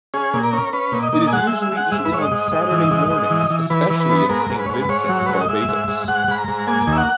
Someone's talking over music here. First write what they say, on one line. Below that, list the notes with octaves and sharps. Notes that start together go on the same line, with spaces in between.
It is usually eaten on Saturday mornings, especially in Saint Vincent and Barbados.
C#4 G#4
A#2
A#4
C#4
C#4 B4
A#2
D#5
A#2
G#5
G#3 F#5
E5
G#3
E5
G#3 F#5
G#2 E5
B4
G#2 C#5
D#5
G#2
G#2
E3
G#2
G#2
E3
E3
E3 B4
E3
B4
B3
G#2 A#4
G#2
B4
C#5
G#2 B4
B4
G#2 C#5
F#3
B4
G#2 C#5
D#5
G#2 E5
G#2
G#2
G#2 F#5
G#2 B5
A#5
G#2
A#3 G#5
D#2
E5
F#5